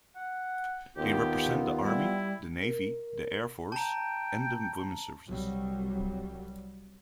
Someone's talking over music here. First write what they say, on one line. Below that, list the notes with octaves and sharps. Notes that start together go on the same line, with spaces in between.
They represent the Army, the Navy, the Air Force, and Women's Services.
F#5
D#2 B3 F4 G4
G3 E4
A#4
G5 A5 A#5
C2 F#3 G3